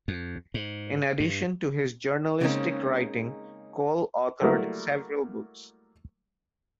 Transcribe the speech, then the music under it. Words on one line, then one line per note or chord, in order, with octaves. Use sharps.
In addition to his journalistic writing, Cole authored several books.
F2
G#2
G2
C#3 G#3 A#3 C4 C#4 D#4
F#3 G3 A3 A#3 E4